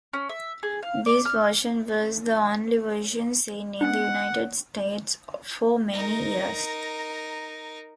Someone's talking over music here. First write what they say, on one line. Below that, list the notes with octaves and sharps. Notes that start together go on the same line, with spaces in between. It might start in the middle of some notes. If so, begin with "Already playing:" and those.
This version was the only version seen in the United States for many years.
C#4
E5
G#4
F5
D5
F6
B3 C#4 D4 F#5
D#4 A#4